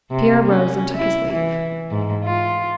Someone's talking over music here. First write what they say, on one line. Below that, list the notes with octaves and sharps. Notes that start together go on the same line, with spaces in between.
Pierre rose and took his leave.
C3
C#4
E4
E3
G#2
F4